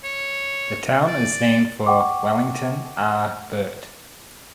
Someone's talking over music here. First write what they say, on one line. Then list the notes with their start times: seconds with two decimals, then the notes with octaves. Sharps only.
The town is named for Wellington R. Burt.
0.04 C#5
1.07 D5
1.86 F#5 G5 C#6 D6